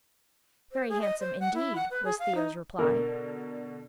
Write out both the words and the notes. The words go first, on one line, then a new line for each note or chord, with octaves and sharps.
"Very handsome, indeed," was Theo's reply.
C5
G#4
D#5
C5
F#5
E4
F#5
B4
G#4
F5
D#4
B2 D3 A#4